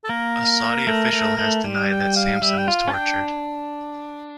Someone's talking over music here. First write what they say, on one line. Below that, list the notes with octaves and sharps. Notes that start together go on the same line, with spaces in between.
A Saudi official has denied that Sampson was tortured.
A4
A#3 A#4
A3
A3
A3
G3
G5
F5
G3 E5
G5
F4 F5
C#4 A5
D4 G5